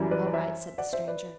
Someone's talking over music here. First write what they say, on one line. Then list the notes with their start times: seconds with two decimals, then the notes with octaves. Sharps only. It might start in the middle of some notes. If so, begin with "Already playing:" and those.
"All right," said the stranger.
Already playing: F#2 E3 G3
0.11 B4 D5
0.26 D5
0.33 C5 E5
0.78 D5 F#5
0.93 C5 E5
1.08 B4 D5